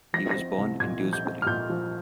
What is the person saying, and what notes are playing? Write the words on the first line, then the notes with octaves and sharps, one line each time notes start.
He was born in Dewsbury.
F3 A#6
C4 A#6
C2
A#2 G#6
F3
G6
C4
F6
A#2 G6
F3